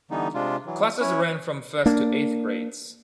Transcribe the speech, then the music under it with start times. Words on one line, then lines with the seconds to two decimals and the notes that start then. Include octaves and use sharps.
Classes ran from first to eighth grades.
0.11 D3 E3 G3 B3 D#4
0.35 C3 G#3 D4 F4
0.66 E3 F#3
1.01 C#4 E4 C#5
1.86 A#3 D4